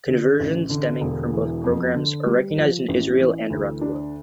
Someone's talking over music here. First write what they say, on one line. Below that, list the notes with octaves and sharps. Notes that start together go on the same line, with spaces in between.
Conversions stemming from both programs are recognized in Israel and around the world.
D3
A1
D3
E1
E3
F2
D3
G3
F3
A1
E3
D2
D4